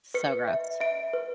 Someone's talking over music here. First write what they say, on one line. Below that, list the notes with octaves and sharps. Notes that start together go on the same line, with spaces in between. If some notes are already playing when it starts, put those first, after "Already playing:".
so gross.
B4 C#7
E5
E5 D7
B4